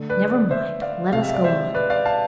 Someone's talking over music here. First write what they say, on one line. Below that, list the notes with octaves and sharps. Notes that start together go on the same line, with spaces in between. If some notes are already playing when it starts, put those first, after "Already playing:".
"Never mind; let us go on."
Already playing: D3 A3
B4 D5
B4 D5
C5 E5
D5 F5
C3 G#3 F5
E5
D5
C5 E5
B4 D5
D5 F5
F5 A5